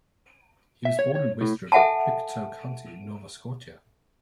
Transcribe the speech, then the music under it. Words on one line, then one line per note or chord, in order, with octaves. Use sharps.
He was born in West River, Pictou County, Nova Scotia.
E5
C#5
C#5
A2
A4 E5 F#5 G#5 A5